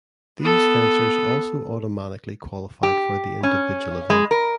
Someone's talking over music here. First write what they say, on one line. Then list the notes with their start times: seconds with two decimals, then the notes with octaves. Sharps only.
These fencers also automatically qualified for the individual event.
0.40 B3 A4
2.83 G4
3.43 C#4
4.10 G#3
4.31 A#4